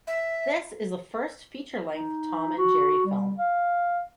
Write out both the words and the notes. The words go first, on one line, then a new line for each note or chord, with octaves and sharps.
This is the first feature-length Tom and Jerry film.
E5
D#4
F#4
G3
F5